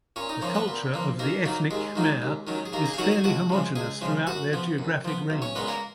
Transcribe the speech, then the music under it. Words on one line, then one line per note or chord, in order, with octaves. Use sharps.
The culture of the ethnic Khmer is fairly homogeneous throughout their geographic range.
A#2 C#4 C#5
D#4 D#5
F3 A#3 C#4 C#5
B3 B4
A#2
F3 A#3
D#2 A#3 A#4
D#3 F#3 A#3 D#4
D#2 G#3 G#4
D#3 F#3 A#3 D#4
D#2
D#3 F#3 C#4
G#4
D#2 A#3 A#4
G#4 G#5
F5
D#3 F#3 C#4 F#4 F#5
G#4 G#5
C#2 F#4 F#5
C#3 F3 G#3
C#2 G#4 G#5
C#3 F3 G#3
F#2 F#4 F#5
F3 B3
F#2
F3 B3
B1
C#4 C#5
A#2 G#3 B3 C#4 B4
A#3 A#4